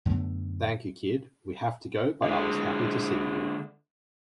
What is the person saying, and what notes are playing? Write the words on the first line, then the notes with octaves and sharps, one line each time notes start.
Thank you kid, we have to go but I was happy to see you.
F#2 D3 A3 B3
D3 G#3